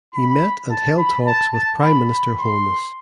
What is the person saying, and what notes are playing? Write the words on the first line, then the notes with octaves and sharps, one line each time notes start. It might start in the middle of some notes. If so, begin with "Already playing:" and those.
He met and held talks with Prime Minister Holness.
B5
A5
B5
A5
A5
B5
B5
C6